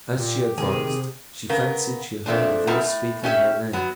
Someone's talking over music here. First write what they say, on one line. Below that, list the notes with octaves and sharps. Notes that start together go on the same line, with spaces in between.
As she advanced she fancied she heard a voice speaking her name.
A#2 G4
C3 D#3 G#4
C#3 B3 A#4
F2 A3 C4 D4
F#2 B2 C4 E4 A#4
A2
C#4 G4 D#5 E5
F#3 B3